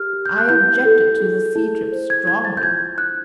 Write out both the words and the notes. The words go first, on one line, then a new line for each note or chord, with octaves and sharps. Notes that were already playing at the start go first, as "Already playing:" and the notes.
I objected to the sea trip strongly.
Already playing: G4 A#4 F6
G4
G6
F#6
E4 G6
A4
G#4
E4
C5
G#6
E4 G#6
A6
G6
F4 G#6
D4 F#6